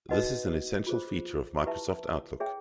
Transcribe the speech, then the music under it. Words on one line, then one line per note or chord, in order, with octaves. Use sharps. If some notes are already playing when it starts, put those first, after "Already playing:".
This is an essential feature of Microsoft Outlook.
D#4 F#4 B4 D#5 F#5
F4 G#4 C5
E4 G4 B4 E5 A5
G#4 C#5 E5 G5